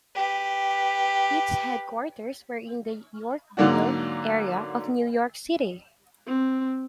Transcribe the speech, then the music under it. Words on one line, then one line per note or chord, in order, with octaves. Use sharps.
Its headquarters were in the Yorkville area of New York City.
G4 B4
G#2 D3 F#3 A#3 D4 F#4
C4